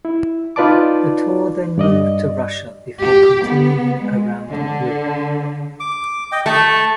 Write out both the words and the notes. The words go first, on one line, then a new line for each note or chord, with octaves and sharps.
The tour then moved to Russia, before continuing around Europe.
E4
D#4 F4 B4 D5 A5 D6
G2 D5 D#5
G4
B3
G#3
D3
D6
D#5 G5
A3 A5